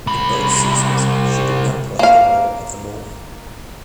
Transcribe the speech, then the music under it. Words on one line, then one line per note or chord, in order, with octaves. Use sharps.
In both seasons she did not play the role of the mole.
C2 B5
A#3 F5